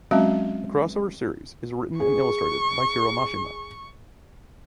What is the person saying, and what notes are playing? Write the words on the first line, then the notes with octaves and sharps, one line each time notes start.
The crossover series is written and illustrated by Hiro Mashima.
F#3 G#3 C4 C#4 F#4 E5
G#4 C#6